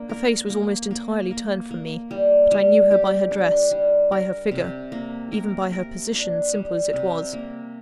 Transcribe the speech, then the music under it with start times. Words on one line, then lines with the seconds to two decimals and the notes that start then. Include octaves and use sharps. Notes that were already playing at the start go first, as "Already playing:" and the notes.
Her face was almost entirely turned from me; but I knew her by her dress, by her figure--even by her position, simple as it was.
Already playing: A#3 D4
0.09 A#4
0.50 A#3
0.91 A#3
1.31 A#3
1.71 A#3
2.11 G3
2.52 G3
2.91 G4
3.31 D4
3.71 G3
4.12 A#4
4.51 C3
4.92 A#3
5.32 A#4
5.72 A#4
6.13 D4
6.53 G3
6.93 C3
7.33 A#3